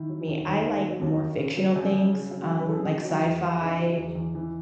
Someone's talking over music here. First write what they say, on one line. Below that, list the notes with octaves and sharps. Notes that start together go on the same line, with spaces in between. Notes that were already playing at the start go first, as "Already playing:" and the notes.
me, I like more fictional things, um, like sci-fi,
Already playing: D#3 E4
F#3
D#2
D#2
D#3
F#3
D#2
D#2
C#3
F#3
F#2
F#2
C#3
F#3
F#2
B4
F#2 A4
G#4
C#3 D#4 F#4
F#3
E2
E2
C#3 D#4
F#3
E2
E2
E3